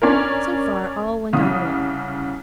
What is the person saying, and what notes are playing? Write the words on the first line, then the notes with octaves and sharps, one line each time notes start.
So far all went on well.
C#4 D4 A#4
C2 C#3 D#6